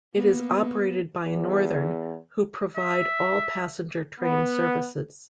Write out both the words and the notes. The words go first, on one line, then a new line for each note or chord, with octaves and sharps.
It is operated by Northern who provide all passenger train services.
A#3 B3
E2
E5
B3